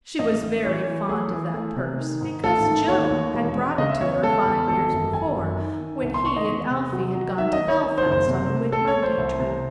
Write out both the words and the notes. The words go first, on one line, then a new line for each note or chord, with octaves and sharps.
She was very fond of that purse because Joe had brought it to her five years before when he and Alphy had gone to Belfast on a Whit-Monday trip.
A1 D#5
A1
E3 C#5
E3
A3 G#4
E3
A3
C3
D#3
G#2
A1 A4
D#3
D#2 C#5
D#2
E1
G#3
C#3 D#5
E5
E2 C#5
C#5
G#3 A4
E2
G#1 A4
F#2
G#1 G#5
F#2
D#3
D#3
C2
C6
D#3 C#6
D#5
E2
C3
F#3
F#3
D#3 E5
D#5
D#3
C#5
D#3
C5
F#1
C5
C3
A3
A3 A4
C#5
A3
C5
C2
C3